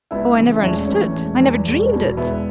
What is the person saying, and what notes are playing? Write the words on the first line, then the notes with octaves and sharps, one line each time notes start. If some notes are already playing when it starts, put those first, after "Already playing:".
Oh, I never understood--I never dreamed it!
C#2 B3 E4
C#3 E3
E1 A3 C#4
E2 E3 A3 C#4
E1
E2 E3
E1
E2 B2
E1 B3 E4